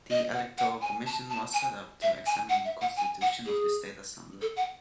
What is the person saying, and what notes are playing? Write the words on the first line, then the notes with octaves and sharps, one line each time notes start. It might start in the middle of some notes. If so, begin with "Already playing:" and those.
The Electoral Commission was set up to examine the constitution of the States Assembly.
D#5
F#5
F#5
G#5
A5
A5
G#5
E5
G#5
F#5
E5
F#5
G#5
F#5
G#4
A4
F#5